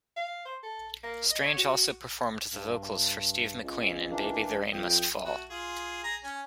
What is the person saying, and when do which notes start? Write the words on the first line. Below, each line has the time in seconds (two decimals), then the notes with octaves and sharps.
Strange also performed the vocals for Steve McQueen in "Baby the Rain Must Fall".
0.16 F5
0.45 C5
0.63 A4
1.03 A#3
1.30 D#5
1.44 C#5
1.57 F#4
2.52 G2
3.62 C#2
4.11 E3 A#3 D4
4.73 F2 G5 D#6
5.25 A3 F#4
5.50 F4 G#4
6.04 G#4 A#5
6.24 C#4 G#5